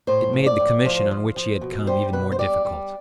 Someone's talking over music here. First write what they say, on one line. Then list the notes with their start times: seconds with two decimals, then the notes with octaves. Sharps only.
It made the commission on which he had come even more difficult.
0.07 A2 C5
0.33 F3
0.46 D5
0.60 A2
0.85 F3 C5
1.11 F3
1.36 F3
1.61 B2
1.87 G3 C5
2.13 B2 B4
2.32 C5
2.39 G3 D5
2.65 G3